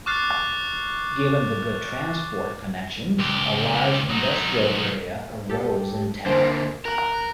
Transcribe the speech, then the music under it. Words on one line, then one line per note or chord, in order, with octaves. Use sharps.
Given the good transport connections, a large industrial area arose in town.
C#6 D6 F6 F#6 A6 C7
C#2 G4
F#3 D#4
G4 A4
D3 A#3 C5
A#4 F#6